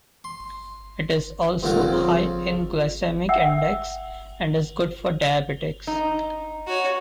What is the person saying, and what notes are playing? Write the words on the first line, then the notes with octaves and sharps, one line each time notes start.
It is also high in glycemic index and is good for diabetics.
C6
G2 A#2 D3 D#3 A#4 F#5
F2 C#3
E5 F#5 G5 E6
D#4
F#4 C#5